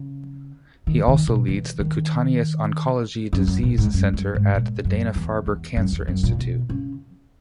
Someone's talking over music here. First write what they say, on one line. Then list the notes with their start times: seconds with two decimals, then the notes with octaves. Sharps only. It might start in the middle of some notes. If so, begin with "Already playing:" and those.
He also leads the Cutaneous Oncology Disease Center at the Dana Farber Cancer Institute.
Already playing: C#3
0.87 D#3
1.08 D#3
1.28 B2
1.48 E3
1.79 D#3
3.33 F#2
3.47 F#2
3.63 A#2
3.78 G#2
3.94 F#2
4.13 F#2
4.35 G#2
4.55 A#2
4.85 F#2
5.15 E2
5.47 E2
5.76 F#2
5.92 E2
6.08 F#2
6.23 A#2
6.39 B2
6.70 C#3